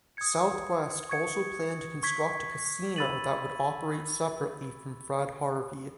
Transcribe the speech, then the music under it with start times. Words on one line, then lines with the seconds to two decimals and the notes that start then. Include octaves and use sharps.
Southwest also planned to construct a casino that would operate separately from Fred Harvey.
0.17 D#6 G#6 C#7
1.09 C#6 G#6 C#7
2.03 C#6 G#6 B6
2.96 B5 E6 A6 D#7 F#7